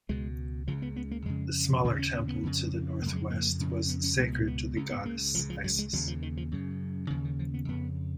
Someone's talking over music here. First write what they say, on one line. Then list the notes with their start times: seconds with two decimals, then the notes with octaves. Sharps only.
The smaller temple to the northwest was sacred to the goddess Isis.
0.09 C#2 B2 G#3
0.67 C#2 C#3 F3
0.82 B3
0.96 B3
1.11 A#3
1.25 F2 C#3 G#3
1.84 D#2 C#3 A#3
1.99 C#4
2.14 B3
2.28 B3
2.43 F2 C#3
3.01 C#3 A#3
3.06 F2 F#3
3.16 G#3
3.30 A#3
3.60 F2 C#3
3.89 B3
4.04 C#4
4.18 C#2 B2 B3
4.33 B3
4.47 B3
4.76 C#2 C#3 C#4
4.91 B3
5.06 A#3
5.35 C#2 C#3 F3
5.50 F3
5.64 F#3
5.79 G#3
5.93 D#2 C#3 F#3
6.08 F3
6.22 D#3
6.37 F3
6.52 F#2 C#3
7.10 D#2 C#3 F3
7.25 D#3
7.39 F3
7.54 B3
7.68 F2 C#3 B3